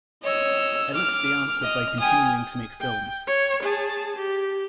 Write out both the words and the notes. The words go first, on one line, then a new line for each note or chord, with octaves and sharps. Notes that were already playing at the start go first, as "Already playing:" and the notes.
I look for the answer by continuing to make films.
C#5 D#5 E6
D6 F6
D#5
G5 G#5 D#6
G5
C#5
G#4 A5
G4